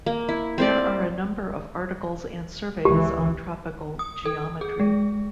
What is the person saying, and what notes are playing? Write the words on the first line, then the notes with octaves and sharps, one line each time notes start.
There are a number of articles and surveys on tropical geometry.
A#3
E4
C4 C5 D5
C#2 E3 G4
D#6
A4
G#4
G#3